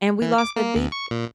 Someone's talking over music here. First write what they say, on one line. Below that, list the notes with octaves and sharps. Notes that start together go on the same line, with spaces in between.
And we lost the defense
E3
D6
A#3
D2
C#6
A#2